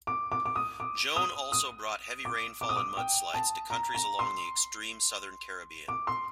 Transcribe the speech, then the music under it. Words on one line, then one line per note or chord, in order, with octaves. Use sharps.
Joan also brought heavy rainfall and mudslides to countries along the extreme southern Caribbean.
D6
D6
D6
D#6
D6
D#6
D#6
D6
D6
D#6
D6
G5
A5
A#5
A#5
C6
D6
C6